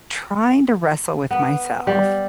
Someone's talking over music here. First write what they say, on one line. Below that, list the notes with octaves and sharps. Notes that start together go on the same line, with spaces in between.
trying to wrestle with myself
B3
G3